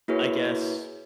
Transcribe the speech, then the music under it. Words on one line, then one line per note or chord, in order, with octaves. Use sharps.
I guess,
A#3 E4 F#4 G#4 B4 C#5